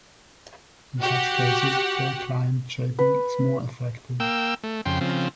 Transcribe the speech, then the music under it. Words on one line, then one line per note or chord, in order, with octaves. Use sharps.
In such cases, per-client shaping is more effective.
F#4 G4 F#5
B4
A#3 G5 E6
A3
F2 C#3 G5 C6
C#3 F3 C4